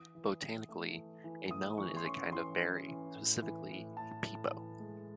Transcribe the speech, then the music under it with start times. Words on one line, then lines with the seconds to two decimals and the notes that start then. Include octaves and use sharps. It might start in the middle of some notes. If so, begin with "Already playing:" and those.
Botanically, a melon is a kind of berry, specifically a "pepo".
Already playing: E3 D#6
0.15 E3
0.41 E3
0.69 A3
0.96 E3
1.24 E3
1.51 A3 D#6
1.78 E3 C#6
1.97 C6
2.05 C#4 C#6
2.32 E3 C6
2.61 C#4
2.88 E3
3.15 A2
3.42 E3
3.70 A2
3.96 A2 A5
4.24 A2
4.52 E3
4.80 G#3